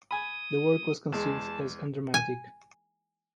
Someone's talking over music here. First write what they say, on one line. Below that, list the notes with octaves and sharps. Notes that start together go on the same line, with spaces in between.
The work was conceived as undramatic.
G#5 B5 D#6
E2 G#3 A5
G#5